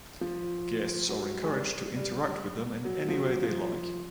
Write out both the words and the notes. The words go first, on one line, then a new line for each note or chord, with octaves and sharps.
Guests are encouraged to interact with them in any way they like.
F3
F#3
G#3
G3
G3
F#3
F3
F#3
F3
F3